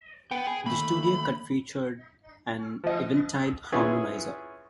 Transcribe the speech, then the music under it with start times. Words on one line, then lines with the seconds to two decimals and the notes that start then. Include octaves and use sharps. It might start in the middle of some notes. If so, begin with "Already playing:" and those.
The studio cut featured an Eventide Harmonizer.
0.31 B3 G5
0.47 G#4
0.66 D#3 A3 A#3 B5
2.84 F3 D#5
3.72 B3 C#4 E4 F4 G#4